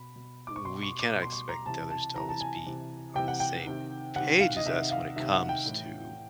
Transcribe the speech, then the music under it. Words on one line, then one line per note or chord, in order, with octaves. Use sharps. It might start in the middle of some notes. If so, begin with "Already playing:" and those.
we cannot expect others to always be on the same page as us when it comes to
Already playing: B2 B5
B2
D6
C#6
B2 C6
C#6
D6
B2
C6
C#6
A#5
C3 E3 A5
A5
C3 E3 A#5
A5
G#5
C3 E3
C3 E3 G5
F#5
G5
C3 D#3
C3 D#3 F#5
F5
D#5
C3 D#3 E5
F5
C3 D#3 E5
F#5
G5
A2 E3